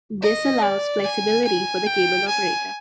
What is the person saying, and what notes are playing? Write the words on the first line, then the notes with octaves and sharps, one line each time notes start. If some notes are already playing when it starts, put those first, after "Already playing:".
This allows flexibility for the cable operator.
D#5
D5
G#5
G#5
G5
G#5